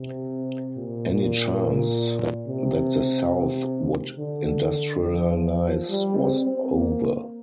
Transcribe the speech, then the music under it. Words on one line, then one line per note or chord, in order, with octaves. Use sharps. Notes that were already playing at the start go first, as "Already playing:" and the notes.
Any chance that the South would industrialize was over.
Already playing: C3
A#2
C3
D3
F3
G3
C4
C4
A#3